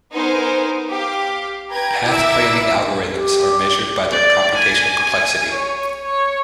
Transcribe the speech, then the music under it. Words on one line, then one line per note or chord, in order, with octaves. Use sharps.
Path planning algorithms are measured by their computational complexity.
B3 D#4 A#4 C5 G#5
G4 F5 D6
B4 G5 A#5 G#6
E4 A#4 E5 D6 E6
G4
D5
G#5
C#5
C#5